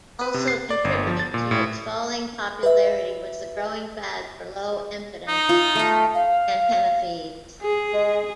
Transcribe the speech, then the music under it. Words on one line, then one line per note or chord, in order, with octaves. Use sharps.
Also contributing to its falling popularity was the growing fad for low-impedance antenna feeds.
B4
C3
C7
D5
G1
F3
A6
A#2
A2
B4 E5
D#4
F4
A3 F5
F5
G#4
G#3